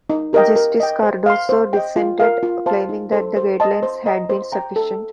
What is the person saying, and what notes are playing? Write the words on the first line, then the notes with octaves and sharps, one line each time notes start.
Justice Cardozo dissented, claiming that the guidelines had been sufficient.
D#4
G4 A#4 D#5 G5
A#4
D#5 G5
C5
F5 C6
C5
D#5 G5
F4
A#4 F5
F4
C5 F5 A5 C6
D#4
A4 C5
C5
D#5 A5 C6
C5
D#5 A#5
C5
G5 A#5
A4